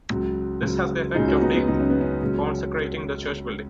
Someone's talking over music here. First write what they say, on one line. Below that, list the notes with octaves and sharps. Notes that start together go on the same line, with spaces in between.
This has the effect of deconsecrating the church building.
C#2 C#3 F#3
C#2 C#3 F#3
C#2 C#3 F#3 D#4 G#4
C#4 F#4
B3 D#4
B3
C#2 C#3 F#3 D#4
C#4
B3
C#4
C#2 C#3 F#3